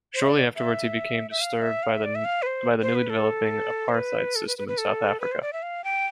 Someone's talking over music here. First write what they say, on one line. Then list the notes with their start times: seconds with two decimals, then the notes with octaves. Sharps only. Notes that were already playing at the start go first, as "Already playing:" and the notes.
Shortly afterwards he became disturbed by the newly developing apartheid system in South Africa.
0.15 C5
0.22 E5
0.29 D5
0.56 E5
1.31 E5
1.41 F5
1.62 E5
1.83 F5
1.94 E5
2.04 D5
2.15 E5
2.25 F5
2.42 B4
2.47 C5
2.82 C5
2.95 B4
3.10 A4
3.89 C5
3.94 B4
4.36 A4
4.47 B4
4.58 B4
4.68 B4
4.78 A4
5.20 B4
5.32 C5
5.42 D5
5.53 E5
5.62 F5
5.84 G5